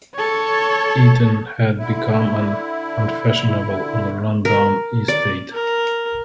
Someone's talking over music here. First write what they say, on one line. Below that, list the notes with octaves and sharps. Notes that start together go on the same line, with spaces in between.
Eaton had become "an unfashionable and run-down estate".
A4 C#5
D3 E4
A#4
D5
A#4